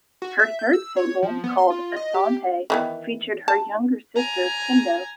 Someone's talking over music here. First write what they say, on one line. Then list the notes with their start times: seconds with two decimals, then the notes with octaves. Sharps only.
Her third single called ‘Asante’ featured her younger sister Pendo.
0.22 F#4
0.39 E5
0.59 G6
0.73 E6
0.97 C#5
1.23 F3
1.44 B3
1.58 C6
1.70 F4
1.96 D#5
2.14 G4
2.70 D#3 E3 B3
3.48 A5
4.16 G#5 A#5